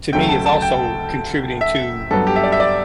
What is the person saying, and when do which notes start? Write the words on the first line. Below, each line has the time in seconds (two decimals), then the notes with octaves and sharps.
to me is also contributing to,
0.12 D2 C#3 F#3 A3 G5
0.29 A5
0.46 A5
0.62 G5
1.61 E5
2.11 G2 F#3 B3 A4
2.27 G4
2.36 E5
2.44 D5
2.52 E5
2.60 D5